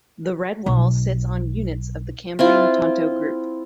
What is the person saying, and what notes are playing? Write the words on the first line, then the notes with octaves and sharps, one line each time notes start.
The Redwall sits on units of the Cambrian Tonto Group.
B1
C4 E4 F4